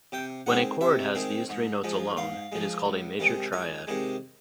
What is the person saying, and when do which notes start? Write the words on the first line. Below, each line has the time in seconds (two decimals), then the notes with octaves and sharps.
When a chord has these three notes alone, it is called a major triad.
0.12 C3 G5
0.46 D#3 G#3 C4 F#5
0.81 C3 E5
1.15 D#3 G#3 C4
1.49 G#2
1.84 F3 G#3
2.17 G#2 F5
2.52 F3 G#3
2.85 C#2
3.19 C3 D#3 G#3
3.53 C#2 G#5
3.87 C3 D#3 G#3